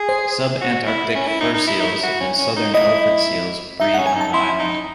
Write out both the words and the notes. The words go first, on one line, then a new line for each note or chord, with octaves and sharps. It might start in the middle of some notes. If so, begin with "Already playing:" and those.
Subantarctic fur seals and southern elephant seals breed on the island.
Already playing: G#4
C5
F#4
E4
C#4
E4
D#4
D#4
E4
D#4
E4
F#4
C#4
C#4
D#4
E4 D#5
D#4 E5
F#5
C#4
G#5
D#4
A5
E4 C6
D#4